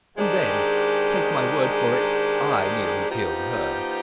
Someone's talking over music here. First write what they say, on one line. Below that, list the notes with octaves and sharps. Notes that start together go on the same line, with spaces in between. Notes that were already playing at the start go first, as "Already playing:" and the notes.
And then, take my word for it, I nearly killed her.
G#2 D#3 G#3 D4 G4
F3 B3 D#4 G4